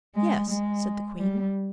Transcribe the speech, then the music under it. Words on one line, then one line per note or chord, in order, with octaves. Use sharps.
"Yes," said the queen.
G#3
G#3
G3